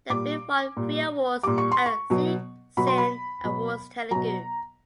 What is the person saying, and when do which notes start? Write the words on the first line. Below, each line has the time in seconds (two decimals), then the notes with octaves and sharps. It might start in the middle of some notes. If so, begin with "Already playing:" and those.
The film won three awards at Zee Cine Awards Telugu.
0.10 A#2 G3 D6
0.77 A#2 G3
1.43 A#2 G3 D6
1.58 C#6
1.72 C6
1.86 C#6
2.10 B2 F#3
2.77 B2 F#3 B5
2.87 C6
2.98 B5
3.45 B2 F#3
4.11 B2 F#3 A#5